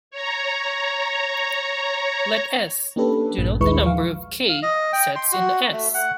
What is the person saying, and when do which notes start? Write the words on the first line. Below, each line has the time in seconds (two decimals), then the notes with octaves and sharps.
Let "s" denote the number of "k"-sets in "S".
0.11 C#5 A#5
2.96 A#3 C#4 D4 G4 A4 B4
3.38 A1 G2 A#2
3.61 D#2 G#3 E4 B4 C#6
3.85 F3 F5
4.49 F5
4.62 D#5
4.93 G5
5.16 C6
5.32 F#4
5.73 A3
5.94 F#5